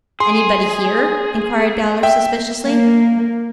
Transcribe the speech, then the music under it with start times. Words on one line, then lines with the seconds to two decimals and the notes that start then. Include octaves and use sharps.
'Anybody here?' inquired Dowler suspiciously.
0.20 G#4 C6
2.03 E5 G5
2.63 A#3